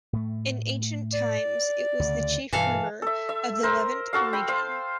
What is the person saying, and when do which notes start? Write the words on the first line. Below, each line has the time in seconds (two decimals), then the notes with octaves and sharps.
In ancient times, it was the chief river of the Levant region.
0.13 A2 A3
1.12 D5
1.99 D2 C#3
2.53 G2 B2 E3 A4 F5
3.02 A4 E5
3.29 E5
3.63 A#4 C5
4.13 F#4 A4 F5
4.33 G5 B5
4.48 C5 F5